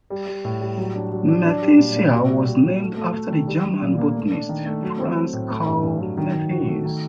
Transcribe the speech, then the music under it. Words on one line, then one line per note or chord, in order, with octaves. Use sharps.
"Mertensia" was named after the German botanist, Franz Carl Mertens.
G3
G3
A2
G3
F#3
D4
F#3
D4
D4
G3
A#2
A#2
F#4
G3
G3
F#4
A3
A3
A3
D#3
G3
G3
A#2
A#3
A3
D4
D#3
A3
F#3
C4
C4
A2
A3
G2
G2
F#3
D#3
D#3
F#4
A3
D#3